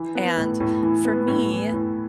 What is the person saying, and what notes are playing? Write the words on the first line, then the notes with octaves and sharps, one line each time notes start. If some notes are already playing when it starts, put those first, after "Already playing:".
and for me,
Already playing: E3
B3
A2
A2
E3
B3
A2
E3
A2